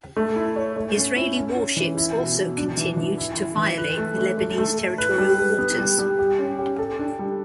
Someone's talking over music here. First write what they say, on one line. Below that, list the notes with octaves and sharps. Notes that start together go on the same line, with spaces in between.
Israeli warships also continued to violate the Lebanese territorial waters.
A3
E4
C#5
A3
C#4
E4
C#4
C#4
E3
E4
B2
B2
D4
E3
E3
E4
E4
E3
B4
A3
A3
A3
A3
A4
B4
G3
B4
B3
G3
G3
G4
C#4
G4
A4
D4
G3